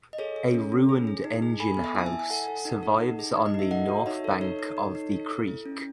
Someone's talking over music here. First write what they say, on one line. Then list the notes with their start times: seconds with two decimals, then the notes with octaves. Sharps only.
A ruined engine house survives on the north bank of the creek.
0.13 D#5
0.18 G#4 A4 C#5
0.36 G#4
0.54 C#4
0.72 C#4
0.89 G#4
1.07 G#4
1.24 D#4
1.42 G#4
1.60 A4 G#5 B5
1.77 B3
1.84 E5 G#5
1.95 E4 A5
2.06 E5 G#5
2.13 E4
2.19 G#5
2.30 A4 F#5 A5
2.48 A4
2.65 D#4
2.83 A4
3.01 D#4
3.19 G#4
3.36 D#4
3.46 D#5
3.54 D#4 E5
3.71 A4 D#5 F#5
3.89 F#4
4.06 D#4 C#5 E5
4.24 A4
4.41 D#4 A4 C#5
4.59 D#4
4.77 D#4
4.95 D#4
5.12 A4
5.30 A4
5.48 E4
5.66 C#4